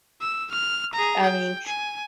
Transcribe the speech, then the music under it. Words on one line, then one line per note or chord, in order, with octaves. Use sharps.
I mean,
E6
F6
G#4 A#5
G5
G#5